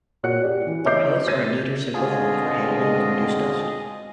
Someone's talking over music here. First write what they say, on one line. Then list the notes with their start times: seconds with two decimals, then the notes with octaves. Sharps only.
The pellets are a neater, simpler form for handling, with reduced dust.
0.23 A#2 F#4 C#5 F#6 C#7
0.43 F#4 G4 D5
0.67 E3
0.85 C#5 D#5 E5 D6 G6 C7
1.28 G#6 A6 D#7
1.94 B2 D3 G#3 C4 F4 G#4 D#5